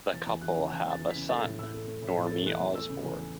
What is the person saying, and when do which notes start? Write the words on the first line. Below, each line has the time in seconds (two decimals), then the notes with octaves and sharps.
The couple have a son, Normie Osborn.
0.13 E2 A6
0.27 E2
0.41 E3 F#6
0.57 C#3
0.71 E2 F#6
0.85 E2
0.91 A6
1.00 E3
1.10 B6
1.15 C#3
1.29 A3 A6
1.44 A2
1.59 A2 E6
1.74 A3
1.88 A3
2.02 A2
2.07 B6
2.17 A2
2.27 A3 A6
2.46 E2 F#6
2.61 E2
2.75 A3 E6
2.89 C#3
3.05 E2